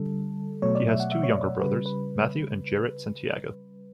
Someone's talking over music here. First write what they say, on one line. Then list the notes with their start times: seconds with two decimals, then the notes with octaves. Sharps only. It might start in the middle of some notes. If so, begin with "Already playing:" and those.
He has two younger brothers, Matthew and Jarrett Santiago.
Already playing: D3 G3 A4
0.62 B2 F#3 A3 C#5
0.75 D5
0.88 E5
1.00 F#5
1.12 E5
1.23 C#5
1.29 D5
1.61 C#3 G3 B4
1.86 B4